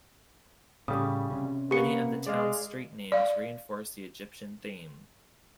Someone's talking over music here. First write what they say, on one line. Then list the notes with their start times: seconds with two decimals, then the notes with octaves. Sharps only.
Many of the town's street names reinforce the "Egyptian" theme.
0.88 A2 C#3 G3 A3 D#6
1.30 C3 C#4
1.71 A#3 B3 G4 C#7
2.27 G#3 D5 F5
3.12 D5 F5